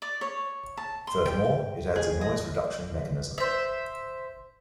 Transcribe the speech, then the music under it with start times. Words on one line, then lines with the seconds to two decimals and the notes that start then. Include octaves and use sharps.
Furthermore, it adds a noise reduction mechanism.
0.02 D5
0.21 C#5
0.77 A5
1.07 C6
1.26 G5
1.96 G#4
2.21 D#5
3.38 C5 E5